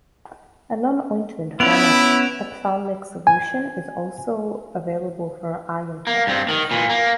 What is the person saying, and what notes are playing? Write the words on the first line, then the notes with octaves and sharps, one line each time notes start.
A non-ointment form of ophthalmic solution is also available for eye infections.
B3 C#4 E4 D7 F7
G#5
A#3
G2 C4
D#3
A#2 E3
A#3